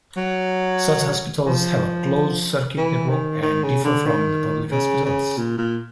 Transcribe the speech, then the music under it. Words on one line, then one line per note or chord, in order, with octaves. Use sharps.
Such hospitals have a closed circuit network and differ from the public hospitals.
F#3
F3
E3
D#3
D#3
C#3
D3
D#3
C#3
C#3
A#2
A#2